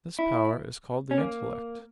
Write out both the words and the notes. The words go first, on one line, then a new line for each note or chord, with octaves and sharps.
This power is called the intellect.
E4
C#4
A#3